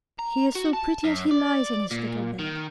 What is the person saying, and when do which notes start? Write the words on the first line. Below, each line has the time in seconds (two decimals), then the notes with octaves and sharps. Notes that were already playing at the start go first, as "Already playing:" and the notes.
He is so pretty as he lies in his little bed.
0.19 A#5
0.56 F#4
0.73 A5
1.04 F#2
1.31 D5
1.91 A#2
2.39 D#3